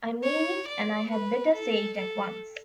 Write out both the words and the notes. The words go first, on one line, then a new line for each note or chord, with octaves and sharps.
I mean it, and I had better say it at once.
C#5
D5
B4
A4
A4